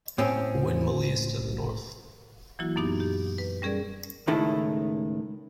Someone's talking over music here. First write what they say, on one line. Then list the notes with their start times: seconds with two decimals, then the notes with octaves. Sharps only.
Winmalee is to the north.
0.18 A2 C4 C#4
2.59 E3 F#3 A#3 E4 F#4
2.76 F#2 A#2 B3 D#4 G4 D6
3.00 G4
3.38 B4
3.62 G3 C#4 G#4 A#4 D5
4.27 C#2 A2 D#3 E4 A4